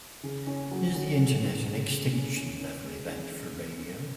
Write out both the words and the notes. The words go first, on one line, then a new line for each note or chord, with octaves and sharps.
Is the Internet an Extinction Level Event for Radio?
C#3
C#4
F#3
F#3
C#3
C#3
C#3
C#3
C#4
C#4
C#4
G#3
C#4
C#4
C#4
C#4